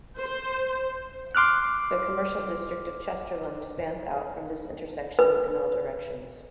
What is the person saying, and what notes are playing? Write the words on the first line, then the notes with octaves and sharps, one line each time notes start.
The commercial district of Chesterland spans out from this intersection in all directions.
C5
C6 D6 F6 F#6
B4